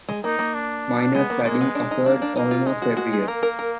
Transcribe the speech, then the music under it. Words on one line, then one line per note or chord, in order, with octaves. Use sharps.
Minor flooding occurred almost every year.
G#3
A#3 D#4
A#3
D4
G#3 B3
A#3
G#3 A#3
B3
D4
D#4
A#3 D4
D4
A#3 D#4
F4
G#3 D#4
F#4
F#4
G#4
A#3 A#4
A#4
A#4